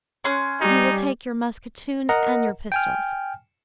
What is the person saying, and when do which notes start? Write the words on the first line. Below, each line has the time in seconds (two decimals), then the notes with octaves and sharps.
"You will take your musketoon and your pistols."
0.24 C#4 C6 F#6
0.61 G3 D#4
2.09 A#4 D#5 F#5 A#5
2.72 G5 G#5 F6